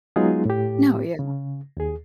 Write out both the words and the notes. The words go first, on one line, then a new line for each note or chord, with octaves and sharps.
No, yeah.
F#3 G#3 B3 D#4 F4 G#4
A2 G4
C#3
D#2 G#4